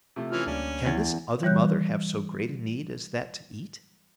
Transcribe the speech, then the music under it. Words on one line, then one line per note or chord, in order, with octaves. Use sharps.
Can this other mother have so great a need as that to eat?
C3 F3 A3
E3 C#4 F4 F6
D2 G3 A#3 C#4 D4
E2
E3 G3 C#5 F#6 G6